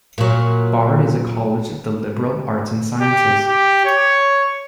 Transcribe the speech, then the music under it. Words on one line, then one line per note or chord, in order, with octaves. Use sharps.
Bard is a college of the liberal arts and sciences.
A#2 F#3
G4
G4
C#5